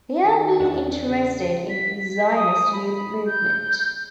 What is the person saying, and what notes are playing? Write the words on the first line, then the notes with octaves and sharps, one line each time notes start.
He had been interested in the Zionist youth movement.
D#3
E2 D4
C#3
B6
D#6
B5
G6